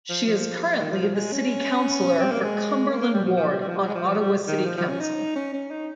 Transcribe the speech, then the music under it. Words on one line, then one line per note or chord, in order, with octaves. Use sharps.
She is currently the city councillor for Cumberland Ward on Ottawa City Council.
F3
F3
D#3
F3
F3
G#3
C#4
C4
A#3
G#3
A#3
A#3
G3
F3
F3
G3
G3
F3
G3
G#3
F3
F3
G3
D#3
F3
F3
C#4
D#4
C#4
C#4
D#4